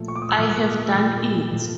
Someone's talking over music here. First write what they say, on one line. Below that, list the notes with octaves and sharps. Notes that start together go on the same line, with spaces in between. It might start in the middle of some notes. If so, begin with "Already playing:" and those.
I have done it.
Already playing: A#2 F3 A3
C#6
D6
D#6
E6
A#2 F3 A3 F6
F#6
F6
E6
A#2 F3 A3
A#2 F3 A3